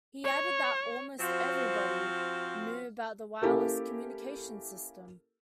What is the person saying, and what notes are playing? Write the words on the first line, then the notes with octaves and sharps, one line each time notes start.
He added that "almost everybody" knew about the wireless communication system.
C#5
F3 C4 F#4 C5 F5
A#3 C#4 E4 G4 A4 A#4